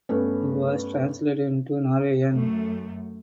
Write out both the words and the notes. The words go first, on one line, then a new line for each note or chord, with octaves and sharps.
It was translated into Norwegian.
G2 A3 B3 C#4
F#2 A3